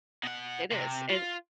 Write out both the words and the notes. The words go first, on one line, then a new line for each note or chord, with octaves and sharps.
It is, and
B2 F#5
C3
F4